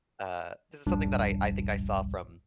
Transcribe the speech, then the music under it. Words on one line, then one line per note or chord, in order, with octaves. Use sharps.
uh this is something that I I think I saw from,
D1 A#1 G2 D4